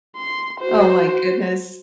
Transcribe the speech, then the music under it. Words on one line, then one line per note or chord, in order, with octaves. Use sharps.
Oh, my goodness.
C6
F#4 C5